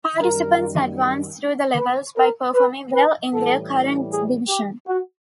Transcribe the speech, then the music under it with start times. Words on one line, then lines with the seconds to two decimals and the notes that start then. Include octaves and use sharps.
Participants advance through the levels by performing well in their current division.
0.20 F#2 D#3 G3 A#4
1.76 B4
2.15 A#4
2.54 B4
2.92 B4
3.31 A2 E3 G3 A4
4.09 G#4
4.48 G4
4.87 F#4